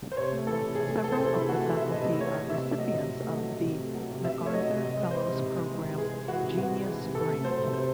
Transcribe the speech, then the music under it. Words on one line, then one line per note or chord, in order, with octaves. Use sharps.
Several of the faculty are recipients of the MacArthur Fellows Program "genius grant".
C5
C3 C#5
A3
E3 A4
C3
C3 G#4
A3
E3 A4
C5
C3 A4
C3 E4
G#4
A3 F#4
E3
C3 E5
C3 D#5
A3
E3 C#5
C3
C3 E5
A3
F#3 D#5
C3
C3
A3
F#3
C3
C3
A3
F#3
C3
C3 E5
A3
C#5
F#3 D#5
C3
C3 D#5
G#3
E3 C5
C3
C3
G#3
E3
C3
C3 G#4
G#3
E3 F#4
C3
C3 F#4
G#3
E3 G#4
C3
C3 A4
A3
F#3 C5
C3
C3 C5